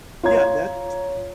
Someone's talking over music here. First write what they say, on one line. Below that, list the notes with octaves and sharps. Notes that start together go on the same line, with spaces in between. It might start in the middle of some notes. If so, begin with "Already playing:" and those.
Yeah, that's
F4 C#5 A#5 G#6